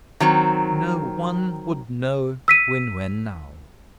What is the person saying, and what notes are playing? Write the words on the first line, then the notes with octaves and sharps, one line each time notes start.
No one would know Gwen Wynn now.
D#3 F#3 C4
E6 B6 D#7